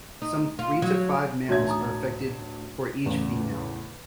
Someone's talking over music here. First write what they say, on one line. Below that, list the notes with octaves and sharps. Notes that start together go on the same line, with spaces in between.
Some three to five males are affected for each female.
D#4
F4
F#3
A1 D2 F#4 C#5 E5 G#6
D#4 A#5 D#6
E2 A2 C#3